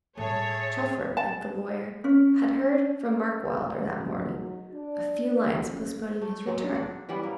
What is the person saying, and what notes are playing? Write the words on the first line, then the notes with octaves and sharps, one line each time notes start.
Chelford, like the lawyer, had heard from Mark Wylder that morning--a few lines, postponing his return.
A2 G3 G#4 A4 C#5 E5 A5
A5
C#4
F#3 G#3 D#4 F#4
D4
C#3
A3
F#3 G#3
D4 F#4
E3 G3 B3
A#3